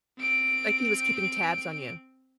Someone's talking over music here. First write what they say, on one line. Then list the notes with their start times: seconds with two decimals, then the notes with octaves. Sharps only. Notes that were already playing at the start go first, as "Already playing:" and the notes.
Like he was keeping tabs on you.
0.18 C4 D7